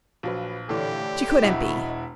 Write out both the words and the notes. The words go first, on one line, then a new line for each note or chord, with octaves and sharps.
She couldn't be.
A#1 F3 F#3 B4
A2 D3 E3 G4 A4 C#5 D5
E1 E4 F#4 D#5 B5 C#6